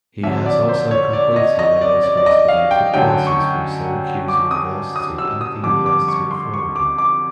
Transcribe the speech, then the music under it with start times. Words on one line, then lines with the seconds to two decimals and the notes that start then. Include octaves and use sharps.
Has also completed aerospace related courses from Syracuse University and the University of Florida.
0.23 F2 D3 F#3 E5
0.46 D5
0.69 C5
0.91 C#5
1.13 D5
1.36 D#5
1.59 D#5
1.81 D5
2.03 D5
2.17 D5
2.26 D#5
2.48 F5
2.71 G5
2.94 F#2 D3 F#3 A3 G5
3.27 C#6
4.28 D6
4.51 D#6
4.96 D#6
5.18 E6
5.41 D#6
5.63 F2 D3 G3 D6
5.86 D6
6.08 C#6
6.31 C6
6.54 C#6
6.76 D6
6.98 D6